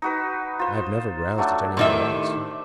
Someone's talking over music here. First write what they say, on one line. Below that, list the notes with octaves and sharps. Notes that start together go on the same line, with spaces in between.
I have never roused it anywhere else.
D#4 F#4 B4
F4 C5
F#3 A3 D4
A2 D#3 G4 C5 E5